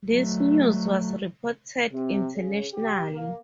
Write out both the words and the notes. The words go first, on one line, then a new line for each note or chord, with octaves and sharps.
This news was reported internationally.
F#3 A3
C3
C#3
G4
A#3